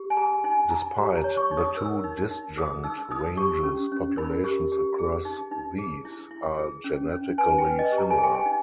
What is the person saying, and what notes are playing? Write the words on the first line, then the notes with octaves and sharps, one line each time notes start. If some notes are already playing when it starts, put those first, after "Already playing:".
Despite the two disjunct ranges, populations across these are genetically similar.
Already playing: G4
G#5
G#4 A#5
D#4 G#5
D#4 A#5
G4 A#5
A#5
C#5
C#6
D#4
D#6
A#4 E6
D#4
D#4
G#4 D#6
D#4 E6
D#4 D#6
G4 C#6
C#4
C#4
A#4 B5
G4
G4
G#4
D#4
D#4
G#4
E4
E4
G#4
C#4
C#4
B4 G#5
G5
B4
D#5
G4
A#5
G#5
G#4
G5
G#5
D#4